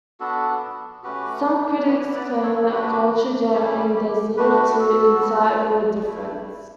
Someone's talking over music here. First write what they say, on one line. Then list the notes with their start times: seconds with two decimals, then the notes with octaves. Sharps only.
Some critics claim that culture jamming does little to incite real difference.
0.20 B3 D4 F#4 A4
1.04 A3 C#4 F#4 G4 B4
1.87 B3 E4 G4 B4
2.14 B4 D5
2.43 A4 C#5
2.70 A3 D4 F#4 G4 B4
3.54 G3 C#4 E4 G4
3.96 G4
4.37 A3 D4 F#4 G4 B4
4.80 F#4 A4
5.21 G3 B3 F#4
6.04 A3 E4